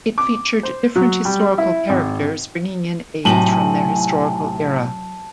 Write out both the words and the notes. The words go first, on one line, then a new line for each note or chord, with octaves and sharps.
It featured different historical characters bringing in aids from their historical era.
D6
C5
F#3
G3
E4
G#1
A2 C3 F#3 D#4 G#5 A5 F#7